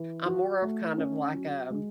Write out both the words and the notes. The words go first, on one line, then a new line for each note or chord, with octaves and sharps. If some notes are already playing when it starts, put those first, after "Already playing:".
I'm more of kind of like, um,
Already playing: E3
F#4
A3
C#4
F#3
G#3